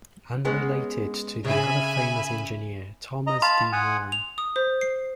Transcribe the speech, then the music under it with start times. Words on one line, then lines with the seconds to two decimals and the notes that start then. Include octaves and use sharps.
Unrelated to the other famous engineer, Thomas D. Moran.
0.45 G#3 B3 C#4
1.45 C#3 E5 G#5 B5
3.27 D#5 A#5
3.42 F5 A5 B5 C6
3.72 F#5 G#5 D#6
4.12 F7
4.38 D#6
4.56 C5
4.81 C7